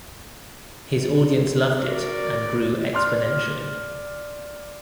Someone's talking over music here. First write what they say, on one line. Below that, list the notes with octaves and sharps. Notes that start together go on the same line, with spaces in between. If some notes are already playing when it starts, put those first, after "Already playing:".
His audience loved it, and grew exponentially.
F#4 A#4 D5
D5 C6 F6